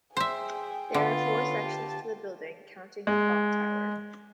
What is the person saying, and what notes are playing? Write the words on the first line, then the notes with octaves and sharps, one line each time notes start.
There are four sections to the building, counting the clock tower.
G#4 C5 E5 G5
D3 B3 F4
C#4 A4
G4 A5
G#3